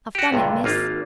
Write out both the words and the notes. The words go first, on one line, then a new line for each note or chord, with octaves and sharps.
'I've done it, miss.
F#4 G4
C#2 G2 A#2 D3
G#1 A#3 F4